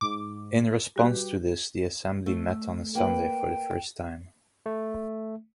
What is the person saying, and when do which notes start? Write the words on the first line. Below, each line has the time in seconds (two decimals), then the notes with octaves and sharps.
In response to this the Assembly met on a Sunday for the first time.
0.01 G#2 D6
0.96 G3 F#4 G4 B4
2.26 A3
2.95 A#3 B4 G5
4.66 A3